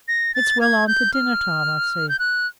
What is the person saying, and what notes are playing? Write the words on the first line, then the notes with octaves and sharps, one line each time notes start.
It's well on to dinner-time, I see.'
A#6
A6
G#6
G6
F6
G6
F#6